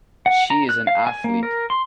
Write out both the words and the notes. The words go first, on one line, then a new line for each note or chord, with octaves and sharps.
She is an Athlete.
F#5
A#5
F#6
F5
G#5
A#3
A#4
C6